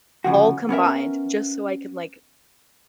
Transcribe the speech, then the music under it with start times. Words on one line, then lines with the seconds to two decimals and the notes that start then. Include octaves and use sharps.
all combined, just so I can, like,
0.24 D2 C#3 F3 F#4
0.69 B3 C#4 A#4 E5